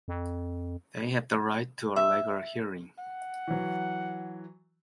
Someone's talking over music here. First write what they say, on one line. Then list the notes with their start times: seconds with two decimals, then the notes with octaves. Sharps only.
They have the right to a legal hearing.
0.08 F2
1.96 E5
2.99 F#5
3.47 E3 F#3